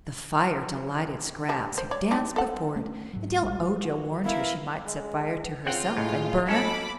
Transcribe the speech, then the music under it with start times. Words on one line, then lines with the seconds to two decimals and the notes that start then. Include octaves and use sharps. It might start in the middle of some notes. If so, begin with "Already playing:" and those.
The fire delighted Scraps, who danced before it until Ojo warned her she might set fire to herself and burn up.
1.49 G3 G#3 D4
1.78 C5
1.91 C#5 D5
2.11 C4 D4 D#4
2.36 A4 F#5
2.76 A3 C#4
3.13 G#2 F#3
3.42 A#1 E2 G3 G#3
3.81 F#4
4.25 B3 E4 A#4 E5 F5
4.86 G#3
5.66 C#3 C4 F4 F#5 G5
5.97 A2 G#3
6.48 C#4 D#4 A4 A5 B5 D6